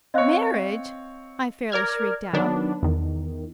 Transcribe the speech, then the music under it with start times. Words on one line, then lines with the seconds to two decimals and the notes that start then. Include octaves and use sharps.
"Marriage!" I fairly shrieked out.
0.14 C4 C#5 D#5 F5 F#6
1.72 A#4 D5 F6 G#6
2.33 D#3 F#3 B3 D4
2.83 E2 D#3